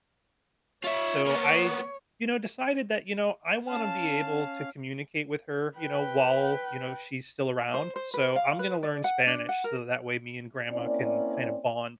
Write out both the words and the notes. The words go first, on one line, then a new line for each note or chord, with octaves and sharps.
so I d you know, decided that, you know, I wanna be able to communicate with her, you know, while, you know, she's still around. So, I'm gonna learn Spanish so that way me and grandma can kind of bond.
F4 C#5 E5
A#3 B3
C#4 F5 A5
B4 G5
C5
C5
B4
F5
B4
D5
F#5
D4
F#5
A#4
A#3 C4 C#4 E4 D5